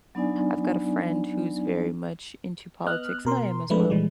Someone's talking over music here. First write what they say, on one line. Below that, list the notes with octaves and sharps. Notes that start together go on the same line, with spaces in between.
I've got a friend who's very much into politics, and I am as well,
F#3 B3 D4 D#4 D5 G#5
B3 D#5 F6 F#6
B2 A#4 C6
F3 G#3 A3 B3 D4 B4
A#2 E3 G3 G#3